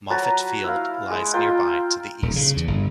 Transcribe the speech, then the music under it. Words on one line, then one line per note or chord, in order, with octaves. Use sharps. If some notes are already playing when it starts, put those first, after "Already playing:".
Moffett Field lies nearby to the east.
F#3 B4 A5 A#5
E4 F5
G#3 B4
F4 G5 A#5 C6
D#1
C#3
E2
G1